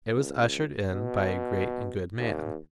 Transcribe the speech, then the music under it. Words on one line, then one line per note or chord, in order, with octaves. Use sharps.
It was ushered in by a great and good man.
C#2
B2
D#2